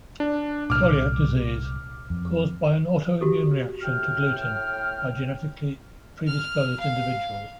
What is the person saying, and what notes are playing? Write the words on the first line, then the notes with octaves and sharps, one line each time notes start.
Coeliac disease - caused by an autoimmune reaction to gluten by genetically predisposed individuals.
D4
C2 A#2 D6 F6
F2
F#4 G4 A4
A2 G5 F6
F6
F5